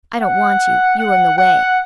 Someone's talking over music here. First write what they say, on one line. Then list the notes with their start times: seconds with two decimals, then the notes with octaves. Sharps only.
"I don't want you, you are in the way."
0.20 F#5
0.99 F#5
1.39 F#5